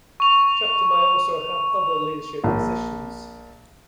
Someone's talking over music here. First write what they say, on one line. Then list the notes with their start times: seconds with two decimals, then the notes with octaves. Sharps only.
Chapter may also have other leadership positions.
0.20 C#6 F7
2.44 A#1